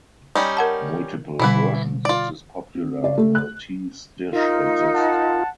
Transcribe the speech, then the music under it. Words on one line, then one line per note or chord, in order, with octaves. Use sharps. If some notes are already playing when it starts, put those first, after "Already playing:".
Multiple versions of this popular Maltese dish exist.
G3 C#4 D#4
A#4 F#5 A5
B2 D3 E3 G3 E4 B4
F4 D5
C4
D5
A3
F#6
D#4 F4 A#4
F#5 A5